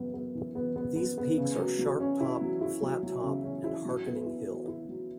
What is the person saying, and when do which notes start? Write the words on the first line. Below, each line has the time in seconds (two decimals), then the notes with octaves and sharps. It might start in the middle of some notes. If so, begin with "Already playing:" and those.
These peaks are Sharp Top, Flat Top, and Harkening Hill.
Already playing: F#2 C#3 B3
0.14 B3
0.35 E3
0.55 B3
0.76 B3
0.96 B3
1.18 B3
1.38 C#3
1.58 F#3
1.79 F#3
2.00 C#4
2.21 E4
2.41 F#3
2.61 E4
2.83 F#3
3.03 F#3
3.24 C#3
3.44 C#4
3.64 E4
3.85 F#3
4.06 B3
4.26 E4
4.47 F#3
4.68 E4
4.89 F#3